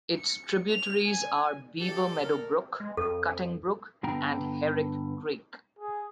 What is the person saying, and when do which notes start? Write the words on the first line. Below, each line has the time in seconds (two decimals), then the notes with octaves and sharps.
Its tributaries are Beaver Meadow Brook, Cutting Brook and Herrick Creek.
0.17 C#7
0.69 F7
1.05 G#5
1.80 G4 A4 D5
2.23 A#4
2.80 G#3
2.97 F2 A4
4.03 G2 D3 B3 G5 A#5
5.79 G#4